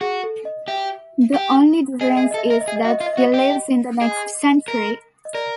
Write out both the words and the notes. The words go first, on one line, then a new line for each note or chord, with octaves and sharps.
The only difference is that he lives in the next century.
F#4 G#4
A4
D#5
G4 E5
G4
G#4 D#5
E5
G#4 D#5
E5
D#5
A4
E5
D#5
A#4
E5
D#5
G#4 E5
D#5
F#4 E5
D#5
F4 E5
D#5
E5
F#4
D#5
G4
G#4 D#5
A#4
D#5
A#4 D5